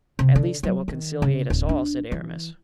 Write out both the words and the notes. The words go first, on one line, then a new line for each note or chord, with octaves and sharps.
"At least that will conciliate us all," said Aramis.
C3
D3
F#3
D#3
C#3
D1
D4
E3